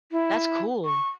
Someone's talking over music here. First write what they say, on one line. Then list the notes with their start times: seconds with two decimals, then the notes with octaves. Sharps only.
That's cool.
0.12 E4
0.85 C#6